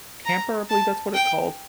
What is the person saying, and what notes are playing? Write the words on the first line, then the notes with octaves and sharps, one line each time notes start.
camper- I believe that's what it's called-
A#5
A5
G5